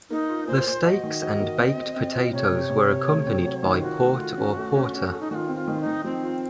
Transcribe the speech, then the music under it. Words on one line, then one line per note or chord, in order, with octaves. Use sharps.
The steaks and baked potatoes were accompanied by port or porter.
A#3 D#4
F4
A#2 C5
A#2
F#4 D#5
D#3
F#4
A#3
C4
C4
C4
F4
C3 C#5
C3
C3
C3
A3
C4
F#3
D#3
F4 F#4
A3
F4
C#4
A3
C#4
C#4
A4
D#4
D#3 F4 F#4
C4
F4
D#3
D#4
D#3
F3 C4
F4